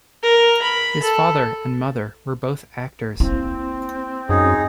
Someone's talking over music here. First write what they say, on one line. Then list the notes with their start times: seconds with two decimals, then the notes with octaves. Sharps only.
His father and mother were both actors.
0.23 A#4
0.62 B5
1.03 A4
3.20 A#3 C4 E4
4.29 F#2 D#4 G#4